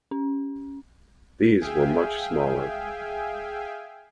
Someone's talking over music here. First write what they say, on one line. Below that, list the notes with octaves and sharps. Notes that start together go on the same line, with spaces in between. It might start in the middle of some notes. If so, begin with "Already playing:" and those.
These were much smaller.
C#4
G#4 E5 F5 G5 G#5